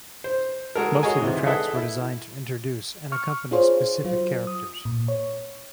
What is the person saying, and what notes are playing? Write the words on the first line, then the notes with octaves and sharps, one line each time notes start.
Most of the tracks were designed to introduce and accompany specific characters.
C5
G#3 F#4 A4 A#4
F#4 G#4 C#5 D#5 G#5
G#2 C3 D#3 E3
G#4 A4 B4 D#5 E5 F#5
E4
C#6 F6
D4 F4 G#4 C5 C#5
F#3 F4 C5
D#6
A#2
C#5